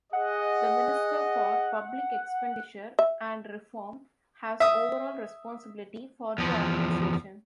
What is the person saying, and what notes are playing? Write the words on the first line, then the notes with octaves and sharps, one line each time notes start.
The Minister for Public Expenditure and Reform has overall responsibility for the organisation.
G#4 D#5 F#5
E5
E5 D#6
E2 F3